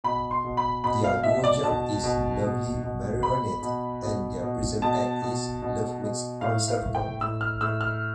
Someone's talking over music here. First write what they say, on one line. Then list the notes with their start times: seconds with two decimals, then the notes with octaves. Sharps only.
Their duo jump is "Lovely Marionette" and their Prism act is "Love Mix Concerto".
0.04 B2 B5
0.31 C6
0.44 B2
0.57 B5
0.84 B2 B5
1.04 F5
1.23 B2 E5
1.44 D5
1.64 B2 A5
2.04 B2
2.43 B2
2.83 B2
3.23 B2 B5
3.63 B2
4.03 B2
4.42 B2
4.82 B2 A5
5.22 B2
5.62 B2
6.02 B2
6.41 A2 F5
6.68 F5
6.81 A2
6.95 G5
7.21 A2 E6
7.41 F6
7.61 A2 E6
7.81 F6